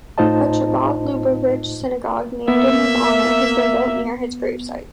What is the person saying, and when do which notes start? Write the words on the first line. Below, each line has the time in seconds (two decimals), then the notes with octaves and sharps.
A Chabad Lubavitch synagogue named in his honour has been built near his gravesite.
0.18 A2 D#4 F4 C5 D#5 A5
2.48 A#3 B3 E5